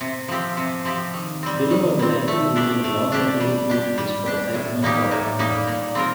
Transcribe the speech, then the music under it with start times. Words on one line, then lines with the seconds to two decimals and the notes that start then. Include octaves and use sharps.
Below are the likelihood and log likelihood functions for a type one Tobit.
0.01 C3
0.28 F3 C4 G4
0.57 C3
0.85 F3 C4 G4
1.14 D#3
1.43 G3 C4
1.70 D#3
1.99 G3 C4
2.28 A3
2.56 D4 G4 D5
2.84 A3
3.12 D4 G4 D5
3.41 G3
3.69 D4 G4
3.98 G3
4.26 D4 G4
4.54 A2
4.82 G3 A#3 D#4 G4
5.11 A2
5.39 G3 A#3 D#4 G4
5.67 A#2
5.95 G3 C4 F4 A#4